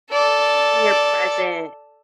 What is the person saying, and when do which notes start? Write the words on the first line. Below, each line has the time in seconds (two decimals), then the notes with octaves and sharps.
And your present.
0.12 A4 D5